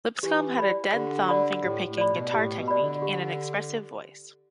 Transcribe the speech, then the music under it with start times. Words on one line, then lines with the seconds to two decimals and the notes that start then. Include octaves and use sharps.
Lipscomb had a "dead-thumb" finger-picking guitar technique and an expressive voice.
0.23 E3 G4
0.59 D5 B5
0.93 D3 G4
1.29 D5 B5
1.63 A2 G4
1.87 A2
1.98 D5 B5
2.10 B2
2.33 A2 G4
2.56 B2
2.68 D5 B5
2.80 D3
3.02 G4